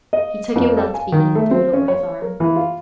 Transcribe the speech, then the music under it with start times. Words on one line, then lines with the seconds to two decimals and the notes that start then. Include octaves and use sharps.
He took it without speaking, and threw it over his arm.
0.13 D#5
0.56 F2
0.77 A4
0.94 G#5
1.12 D#3
1.35 A3
1.51 C4
1.73 C#4
1.88 C#5
2.22 A#4
2.40 E3
2.56 F4